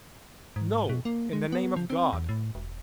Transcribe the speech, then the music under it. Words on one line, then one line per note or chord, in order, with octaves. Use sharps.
No, in the name of God!
G#2
B2
A#3
G#3
B3
F3
C4
E2
A2
E1